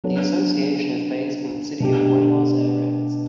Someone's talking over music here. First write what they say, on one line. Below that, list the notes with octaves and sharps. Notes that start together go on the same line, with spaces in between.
The association is based in the city of Buenos Aires.
F#3 B3 D4 A4 C#5
B2 A3 D4 G4